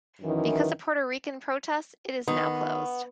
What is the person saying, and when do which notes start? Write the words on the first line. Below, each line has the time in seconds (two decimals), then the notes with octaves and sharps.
Because of Puerto Rican protests, it is now closed.
0.21 F#2 D#3 E3
2.28 D#3 B3